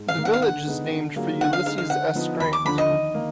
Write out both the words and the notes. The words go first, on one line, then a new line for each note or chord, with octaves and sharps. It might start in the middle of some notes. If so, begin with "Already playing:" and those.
The village is named for Ulysses S. Grant.
Already playing: G#2
F5
D#3 A#3
F#5
F5
D3 F#5
G#3 B3 D#4 G#4
D3
F#3 A#3 F4 G#4
D3 F#5
F5
G#3 D#4 G#4 F5
F5
D3 F#5
F3 B3 D#4
D#2 B5
D6
D3 F3 B5
D#5
D#3
A#3